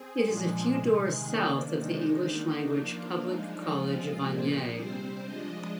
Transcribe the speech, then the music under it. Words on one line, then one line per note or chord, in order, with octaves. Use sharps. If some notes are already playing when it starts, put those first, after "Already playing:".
It is a few doors south of the English-language public college Vanier.
Already playing: C4 G#4
A#2 F3 G#3 D4
C3 D#3 G#3
D#3 A#3 D4
C3 D#3 G#3 D4 D#4
D#3 A#3 D4 D#4
F3 A#3 D4 F4
F3 G#3 D4 D#4
F3 G#3 C4 F4
A#2 F3 A#3 D4 G#4
C3 G3 C4 C5
F3 G#3 D4 D#5